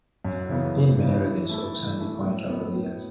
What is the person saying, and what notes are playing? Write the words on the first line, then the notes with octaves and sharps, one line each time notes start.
There have been many residents of Sandy Point over the years.
F#2
C#3 E3 B3
F#2
C#3 E3 B3
E3
A3 E4 A4
E3
A3 E4 A4
A2
F#3 B3
A2